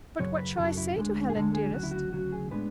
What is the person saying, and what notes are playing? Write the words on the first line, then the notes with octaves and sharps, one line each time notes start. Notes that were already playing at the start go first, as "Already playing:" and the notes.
"But what shall I say to Helen, dearest?"
F#2 C#3 F#3 C#5
B4
F#2 C#3 F#3 A4
E4
D2 D3 G#3
G#4
D2 D3 G#3 A4
G#4
D2 C#3 F#3 F#4
E4
F#4
D2 C#3 F#3 F#4
G#4
A2 G#3 B3 D4 B4